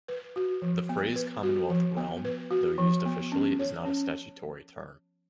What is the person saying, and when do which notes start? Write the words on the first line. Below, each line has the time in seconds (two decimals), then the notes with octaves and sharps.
The phrase "Commonwealth realm", though used officially, is not a statutory term.
0.08 B4
0.36 F#4
0.62 F3
0.89 B3
1.16 B4
1.43 F#4
1.70 F3
1.97 B3
2.25 B4
2.51 F#4
2.78 F3
3.05 B3
3.32 C#4
3.59 C#5
3.85 C#4